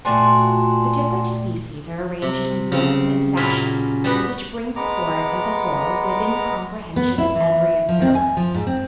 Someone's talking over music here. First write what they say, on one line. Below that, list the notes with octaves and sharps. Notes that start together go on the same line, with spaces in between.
The different species are arranged in zones and sections, which brings the forest as a whole within the comprehension of every observer.
A#2 A3 D4 F4 F#4 G5 G#5 C6
C3
C#3 C4
F#2 A#2 C#4 G#5 B5
G3 B3 F#4
G#3 B3 A#5 D6
B3
E4
E3
F3
C4
G#5
F3
G#2
C4